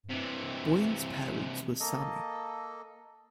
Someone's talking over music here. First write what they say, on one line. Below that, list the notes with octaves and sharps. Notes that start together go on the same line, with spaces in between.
Boine's parents were Sami.
C3 E3
A#3 A4 D#5